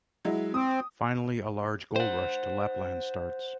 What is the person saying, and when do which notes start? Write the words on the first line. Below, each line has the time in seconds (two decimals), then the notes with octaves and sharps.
Finally a large gold rush to Lapland starts.
0.25 F#3 G#3 E4
0.54 C4 D#6
1.96 C5 F#5